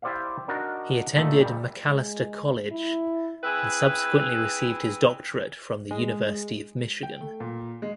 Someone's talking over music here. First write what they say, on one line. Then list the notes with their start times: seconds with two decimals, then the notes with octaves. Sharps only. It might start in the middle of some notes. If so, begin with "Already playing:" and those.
He attended Macalester College and subsequently received his doctorate from the University of Michigan.
0.02 E4 G4 C5 D5 E5 F5
0.48 D4 D#4 F#4 A#4 D5
1.16 A#2 D3 A3 D#4 A4 E5
1.41 A#2 G3
1.87 G#3
2.71 E4
3.43 C4 E4 G#4 B4
5.91 G#3
7.03 G5
7.21 A3
7.40 A#2
7.82 G#3